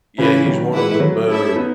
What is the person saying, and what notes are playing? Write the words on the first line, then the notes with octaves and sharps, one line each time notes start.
Y Yeah, he's one of the better
C#3 E3 C#4 E4 B4
D#3 F#3
E3 G#3 E4 B4 F#5
F#3 A3
A3 C#4 E4 A4 E5
C#4
B3 D#4